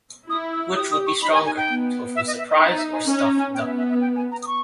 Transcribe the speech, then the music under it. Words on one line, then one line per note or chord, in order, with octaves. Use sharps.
Which would be stronger: tofu surprise or stuffed duck?
E4 D#6
E6
G4 D#6
D#6
C#6
D#4 B5
G#5
G#5
G5
B3
E5
D#5
E5
D#5
D#4 E5
E5
G#5
C#4 G#5
A#5
G#5
B3 G5
E5
E5
E5
G5
G#5
A#5
D#6
C#6